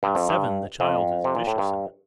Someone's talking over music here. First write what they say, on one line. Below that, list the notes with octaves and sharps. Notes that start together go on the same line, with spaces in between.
At seven the child is vicious and a thief.
G2
F2
G2
F2
C3
A#2
A2
G2